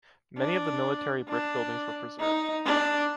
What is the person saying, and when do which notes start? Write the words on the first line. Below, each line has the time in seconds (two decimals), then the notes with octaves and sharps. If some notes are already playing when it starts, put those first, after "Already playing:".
Many of the military brick buildings were preserved.
0.38 D4
1.29 D4
2.20 D#4
2.66 D4